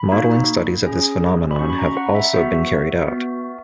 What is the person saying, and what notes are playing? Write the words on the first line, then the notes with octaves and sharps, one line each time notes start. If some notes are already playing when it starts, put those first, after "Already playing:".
Modeling studies of this phenomenon have also been carried out.
Already playing: B5
A#3 D#4 F#4
C#4 G#4
B5
C#4 F#4 C#6
B5
A#5
F#5
E5
B3 F#4 E5
B3 F#4